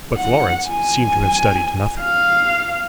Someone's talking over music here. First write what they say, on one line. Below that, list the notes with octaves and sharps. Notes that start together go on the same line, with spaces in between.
But Florence seemed to have studied nothing.
F#5
G#5
F5